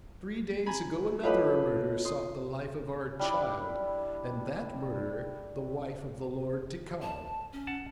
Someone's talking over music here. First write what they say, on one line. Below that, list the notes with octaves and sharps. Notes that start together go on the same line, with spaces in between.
Three days ago another murderer sought the life of our child, and that murderer the wife of the Lord Tikal.
G#5 A#5 B5
E4 F4 G4 A4 B4 C#5 D#5 F5
C6 D#6
G3 D4 E4
A5
C#4
F#5 A5